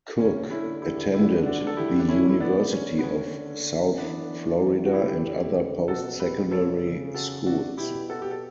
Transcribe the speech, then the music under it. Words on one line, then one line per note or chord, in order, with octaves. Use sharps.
Cook attended the University of South Florida and other post-secondary schools.
D3 C#4
C#4 E4
E4 G4
D3 E4 G4
D4 F#4
A4
E4 G4
D4
D3 C#4 E4
E4
B3 D4
C#4
B3
D3 C#4
E3 B3 D4
F#4
D3 E4 G4
B2 F#4 A4
G4 B4
A4 C#5
C#3
F#4 A4
D4 F#4
B2 E4 G4
F#4 A4
G4
A4